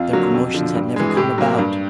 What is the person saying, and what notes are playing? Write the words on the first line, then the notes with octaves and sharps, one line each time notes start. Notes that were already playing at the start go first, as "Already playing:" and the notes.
Their promotions had never come about.
Already playing: F2 F4
D3 F#3 A#3 F#4
F2
D3 F3
G2
E3 G#3
G#4
A2 G4
F#3 A#3
G2